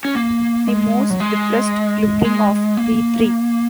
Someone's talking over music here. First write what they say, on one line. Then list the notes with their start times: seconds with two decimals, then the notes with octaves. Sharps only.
The most depressed-looking of the three.
0.05 C#4
0.15 A#3
0.67 G#3
1.10 F#3
1.20 G#3
2.25 G#3
2.77 A#3